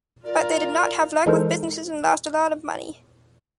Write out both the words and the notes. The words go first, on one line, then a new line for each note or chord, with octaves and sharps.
But they did not have luck with businesses and lost a lot of money.
F4 A#4 D5
E3 G#3 D#4 A4 A#4 C5